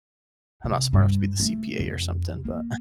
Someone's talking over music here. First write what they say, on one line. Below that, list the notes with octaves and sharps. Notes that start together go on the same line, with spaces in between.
I'm not smart enough to be the CPA or something, but
C3
G2
A3
F2
A#3